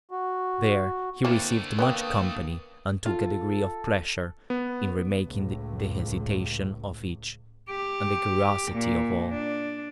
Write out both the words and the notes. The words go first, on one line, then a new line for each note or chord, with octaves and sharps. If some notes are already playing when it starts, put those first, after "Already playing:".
There he received much company, and took a degree of pleasure in remarking the hesitation of each, and the curiosity of all.
F#4
A3 A#3 C4 D4 E4
A#3 B3 B4 C5 G5 D#6
F4 A4
B3
C#2 A2
G4
A#2
D4